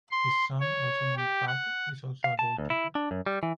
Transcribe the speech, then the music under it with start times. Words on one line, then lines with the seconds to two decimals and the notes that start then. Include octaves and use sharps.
His son, also named Pat, is also a goalkeeper.
0.11 C6
0.60 C#5
1.16 G4
1.48 F#5
2.24 F5
2.39 A5
2.58 D2
2.70 E4
2.95 D4
3.11 F#2
3.26 G3
3.43 E3